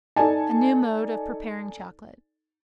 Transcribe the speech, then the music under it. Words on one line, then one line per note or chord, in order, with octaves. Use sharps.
A New Mode of Preparing Chocolate.
D#4 A4 D5 G#5 A5